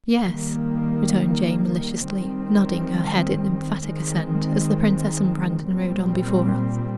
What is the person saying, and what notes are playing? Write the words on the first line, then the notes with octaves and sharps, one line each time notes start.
"Yes," returned Jane maliciously, nodding her head in emphatic assent, as the princess and Brandon rode on before us.
D#3 G3 A#3
D#3 G3 C4
D#3 G#3 C4
A#2 G3 C4